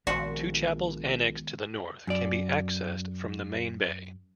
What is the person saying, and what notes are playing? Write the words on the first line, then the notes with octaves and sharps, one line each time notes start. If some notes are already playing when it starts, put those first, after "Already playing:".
Two chapels annexed to the north can be accessed from the main bay.
A#1 D#3 F3 G#3 B3 F#4 C5 D5
F#2 D5